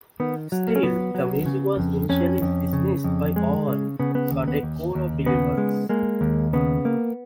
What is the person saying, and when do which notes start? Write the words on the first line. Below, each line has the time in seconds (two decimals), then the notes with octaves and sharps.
Still, the music was initially dismissed by all but a core of believers.
0.20 D#3 B3
0.52 F#3
0.68 A#3
0.76 C#4
0.83 F#3 B3
1.15 F#3
1.46 C#3
1.79 F2
2.10 F2 C#4
2.42 F2
2.73 C#3
3.04 F2
3.36 G#3
3.68 C#3
4.00 C#3 B3
4.15 B3
4.31 D#2
4.48 B3
4.63 D#2
4.95 D#2
5.26 C#3 B3
5.57 G#3
5.89 G#3 A#3
6.21 D#2
6.53 C#3 B3
6.85 A#3